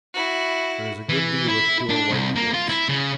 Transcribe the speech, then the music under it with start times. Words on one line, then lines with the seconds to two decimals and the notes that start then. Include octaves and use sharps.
There is a good deal of pure white quartz.
0.14 E4 F#4
1.09 E3
1.48 E4
1.89 D4
2.10 C2
2.36 A#3
2.54 F4
2.69 E4
2.89 C#3